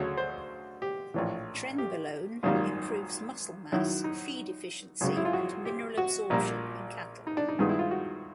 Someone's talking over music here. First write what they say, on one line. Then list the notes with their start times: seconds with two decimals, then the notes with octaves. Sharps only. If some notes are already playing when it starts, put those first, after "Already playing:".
Trenbolone improves muscle mass, feed efficiency, and mineral absorption in cattle.
Already playing: D2 C#3 F#3 A3 C#5
0.17 C5
0.82 G4
1.14 A#1 A2 E3
1.78 G4
2.43 G#1 F#2 D#3 G3 A#3 F4
3.72 F#2 D#3 F#3 E4
4.04 D#4
5.01 G#1 F#2 C#3
5.17 E4
5.25 F4
5.33 F#4
5.65 G4
5.98 F#4
6.30 A#1 A#2 G3 A#3
7.27 D#4
7.37 D4
7.48 D#4
7.59 G2 D#3 G#3 B3 F4
7.69 E4
7.79 F4
7.91 F#4